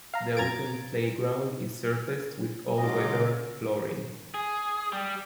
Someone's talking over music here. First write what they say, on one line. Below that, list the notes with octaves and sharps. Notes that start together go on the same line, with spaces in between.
The opened playground is surfaced with all weather flooring.
F5 A#5
F#2 A#5 G#6 A6 D7
G#2 C#3 F#3 F4 D#5 D6
G#4
G3